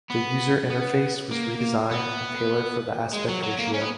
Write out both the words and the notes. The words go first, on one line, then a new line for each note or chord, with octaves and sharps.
The user interface was redesigned and tailored for the aspect ratio.
B3
B3
A#3
B3
G#3
F#3
F#3
A#3
C#4
B3